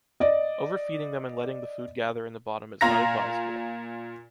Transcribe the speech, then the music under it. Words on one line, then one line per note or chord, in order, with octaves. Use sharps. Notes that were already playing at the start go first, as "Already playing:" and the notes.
Overfeeding them and letting the food gather in the bottom is not advisable.
D5 D#5
A#2 F4 A#5 A#6